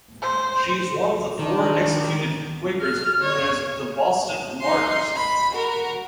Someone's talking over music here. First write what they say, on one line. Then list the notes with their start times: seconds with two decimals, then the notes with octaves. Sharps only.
She is one of the four executed Quakers known as the Boston martyrs.
0.22 C5
1.39 D#3 D4
2.82 F6
3.21 C#5
4.61 D#4 C6
5.16 B5
5.51 F#4 A#4